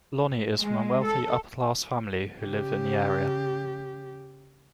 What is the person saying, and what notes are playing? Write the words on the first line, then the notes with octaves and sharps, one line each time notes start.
Lonnie is from a wealthy, upper-class family who live in the area.
G#3
A4
C#3 G4